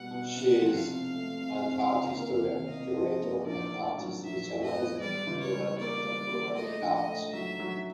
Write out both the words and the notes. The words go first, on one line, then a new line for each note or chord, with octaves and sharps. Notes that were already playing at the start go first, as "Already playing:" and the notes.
She is an art historian, curator, and artist specializing in global contemporary art.
Already playing: B2 G3 F#5
B2
C3 F#5
F3
F5
C3
A3
C3
C3
C#2
A#3
C3
C3 D#5
F3
A#3
A#1 D5
A2
F#3
A#1 E5
A2
D#5
B3
G3 D5
C#2
C#5
G3
A#3 D5
G3
A#3
A3 D#5
A#1
D#5
A3
F#3 E5
F#3